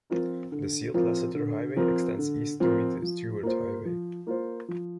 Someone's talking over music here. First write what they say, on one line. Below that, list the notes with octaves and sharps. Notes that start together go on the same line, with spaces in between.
The sealed Lasseter Highway extends east to meet the Stuart Highway.
F3 C4 F4 A#4
D3
F3 C4 F4 A#4
D3
F3 C4 F4 A#4
D3
F3 C4 F4 A#4
F3
A#3 F4 C5
F3
A#3 F4 C5
F3